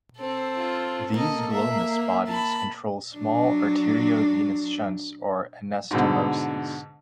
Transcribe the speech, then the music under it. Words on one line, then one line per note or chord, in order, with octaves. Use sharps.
These glomus bodies control small arteriovenous shunts or anastomoses.
C4 A4
F4
A#3 A4 D#5
E5
A5 B5
F#3 D4
G#2 B2 D3